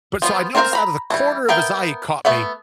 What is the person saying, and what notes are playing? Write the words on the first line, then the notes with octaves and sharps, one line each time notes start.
but, so, I noticed out of the corner of his eye, he caught me,
F3 B3 F4
C4 D4 A#4 C5 F5
A#5 B5
E3 G3
B3 A#4 E5 F5 G5
A3 B3 E5 F#5